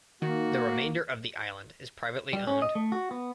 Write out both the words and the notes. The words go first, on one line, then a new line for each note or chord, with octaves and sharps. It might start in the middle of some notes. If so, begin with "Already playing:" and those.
The remainder of the island is privately owned.
D#3 A#3 F#4
G3
C#4
D#5
A3
F#4
B3